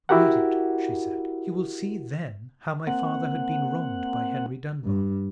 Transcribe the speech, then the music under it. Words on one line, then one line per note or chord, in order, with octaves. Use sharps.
"Read it," she said; "you will see then how my father had been wronged by Henry Dunbar."
E4 F#4 G4 A#4 F#5
A#3 C4 F#5
G2